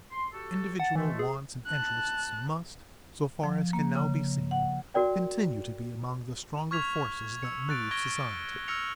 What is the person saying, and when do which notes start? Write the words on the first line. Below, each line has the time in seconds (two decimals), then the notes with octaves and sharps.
Individual wants and interests must, so far as can now be seen, continue to be among the stronger forces that move society.
0.12 C6
0.33 F#4 G4 A4
0.80 F#5 A5
0.95 B2 E3 G#3 A3
1.19 G#4
1.67 A5 F#6
3.44 F3
3.73 A#3
3.96 C#3
4.51 F#5
4.94 F#4 A#4 D5 G5
6.71 C#6 F6 G#6 B6 F7
7.42 E6 C#7
7.69 F#6 A6 D7
7.91 C#6 G#6 A#6 D7 G7
8.68 E6 F6 G#6 A#6 C#7 F7